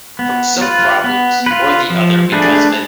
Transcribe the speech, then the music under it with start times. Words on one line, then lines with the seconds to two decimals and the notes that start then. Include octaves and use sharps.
From some problems or the other because of it.
0.19 B3
0.61 F4 B4
1.04 B3
1.46 F4 B4
1.90 F3
2.32 A3 D4 G#4 B4